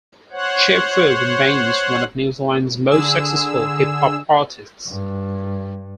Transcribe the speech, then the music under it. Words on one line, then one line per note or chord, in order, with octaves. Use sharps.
Che Fu remains one of New Zealand's most successful hip hop artists.
C5 C#5 F#5
D3 G#4 E6
G2